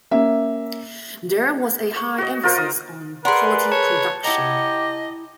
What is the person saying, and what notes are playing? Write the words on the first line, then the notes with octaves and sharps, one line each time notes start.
There was a high emphasis on quality production.
A#3 C#4 E5
C#6
F#4 D#5
F4 A#4 C5
D#6
G#4 A#4 B4 D5 F#5 C6
C#5 A5
E4 G4 D#5 F#5 A#5